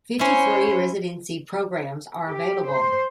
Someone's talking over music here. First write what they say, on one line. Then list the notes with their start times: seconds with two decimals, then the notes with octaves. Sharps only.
Fifty-three residency programs are available.
0.19 C#4 E4 C5 C#5
2.27 G4
2.70 C5